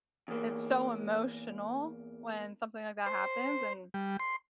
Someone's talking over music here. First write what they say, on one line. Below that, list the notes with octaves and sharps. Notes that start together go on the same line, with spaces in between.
it's so emotional when something like that happens and,
E2 A#3
C5
G3
C6